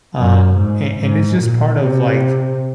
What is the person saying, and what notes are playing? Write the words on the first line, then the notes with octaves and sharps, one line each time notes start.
um, a and it's just part of, like,
F#2
G#2
G#2
A#2
C3